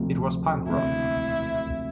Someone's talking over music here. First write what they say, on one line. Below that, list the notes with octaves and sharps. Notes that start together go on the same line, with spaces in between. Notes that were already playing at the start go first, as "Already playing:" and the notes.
It was punk rock.
Already playing: D2 C3 F3 A3
E1 D2 C3 E4